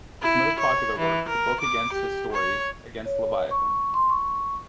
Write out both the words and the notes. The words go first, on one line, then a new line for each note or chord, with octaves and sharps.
His most popular work, the book Against His-Story, Against Leviathan!
E4
C#5
E3
A#4
D6
G4
C#5
C#5
C#6
C6
C#6